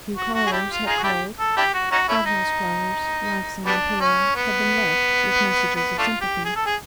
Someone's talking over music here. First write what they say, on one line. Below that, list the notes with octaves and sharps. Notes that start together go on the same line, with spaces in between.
A few callers had called. Hothouse flowers, waxen and pale, had been left with messages of sympathy.
F#4
F#4
G#4
D4 E4 G4
F4
D#4 F4 G#4
F#4
D4 E4 G4
A4
D4 E4 G4
F#4
C#4 D#4 F#4
A3 C#4 E4
D#4
G3 B3 D4
C#4
B3
B3
A3 D4 F4
G4
G#4
A4
G#4